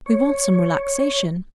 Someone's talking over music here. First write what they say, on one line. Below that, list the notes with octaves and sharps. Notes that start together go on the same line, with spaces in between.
"We want some relaxation."
C#5